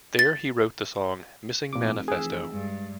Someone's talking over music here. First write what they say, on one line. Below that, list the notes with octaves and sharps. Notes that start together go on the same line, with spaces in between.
There he wrote the song "Missing Manifesto".
A6
F1 A#2 D6
E3 G#4 E6
G2 G#3